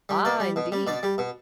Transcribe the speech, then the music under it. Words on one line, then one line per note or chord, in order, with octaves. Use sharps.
"Ah! indeed!"
G3
B2 D5
G3
B2
G3
B2 D5
G3
B2